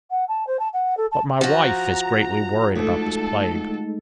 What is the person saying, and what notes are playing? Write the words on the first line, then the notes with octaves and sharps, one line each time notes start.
But my wife is greatly worried about this plague.
F#5
A5
C5
A5
F#5
A4
A5
F3 F#4 A#5
D2 G#3 A3 D#4 A4